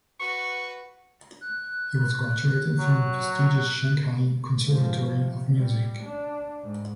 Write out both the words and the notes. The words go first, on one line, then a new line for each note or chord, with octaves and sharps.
He was graduated from the prestigious Shanghai Conservatory of Music.
F#4 B4 C#6
F#6
F#3
G#2 F3
C3
G3
D4
G#2